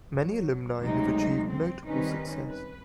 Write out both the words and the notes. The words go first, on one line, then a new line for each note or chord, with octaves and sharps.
Many alumni have achieved notable success.
F#3
D2 C3 F#3 G#3 D#4
C4
D#3 G3 C4 C#4 D#4 B4
B4